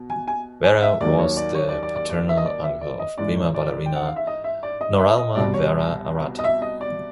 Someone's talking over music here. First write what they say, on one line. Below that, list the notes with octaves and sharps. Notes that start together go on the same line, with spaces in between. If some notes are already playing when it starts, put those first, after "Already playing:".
Vera was the paternal uncle of Prima Ballerina Noralma Vera Arrata.
Already playing: B2
G#5
G#5
G#5
E5
D#2 D#3 F#3 D5
C#5
D5
C#5
D5
D5
D5
D5
E5
D#5
D5
E5
D5
D#5
G#2 E3 G#3 D5
C#5
D5
G5
F#5
F5
E5
D#5
E5
D5
D#5
E5
D#5
C2 B2 G3 D5
C#5
D#5
E5
D#5
D5